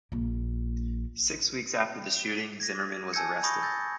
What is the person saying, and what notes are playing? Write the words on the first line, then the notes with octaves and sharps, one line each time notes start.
Six weeks after the shooting, Zimmerman was arrested.
A#1 A#3
G#6 A#6
G#5 A5 E6 G6 G#6 C#7
B5 C#6 D#6 G6 A#6
E6 G6 A6 A#6